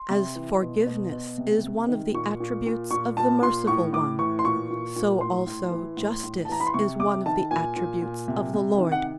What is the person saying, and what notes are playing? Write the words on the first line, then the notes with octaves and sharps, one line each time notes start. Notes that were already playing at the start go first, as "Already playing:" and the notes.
As forgiveness is one of the attributes of the Merciful One, so also justice is one of the attributes of the Lord.
Already playing: C6
C3
E3
B2
B2
B2
C3
C3
D#3
A#2 C#6
A#2
A#2
A#2 C#6
A#2 A5
A#2 C6
A2 C#6
A2 D6
E3 C#6
C6
A#2 C#6
A#2
A#2
A2 C6
A2
E3
A2
A2
A5
E3 A#5
B5
C6
C3 C#6
C3 D6
D#3 A5
A#2 G#5
A#2
A#2
C3
C3
D#3
F#5